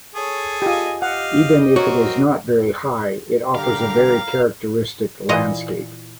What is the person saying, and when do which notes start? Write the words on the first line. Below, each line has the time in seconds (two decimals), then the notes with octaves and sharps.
Even if it is not very high, it offers a very characteristic landscape.
0.15 G#4 A4 C#5
0.62 F4 G4 D#5 G#5
1.02 G4 D#5 F5 F#5
1.76 C4 F#4 A#4 C#5
3.55 D3 G3 G4 A#4 F5 A#5
5.29 A#2 E3 D#5 A#5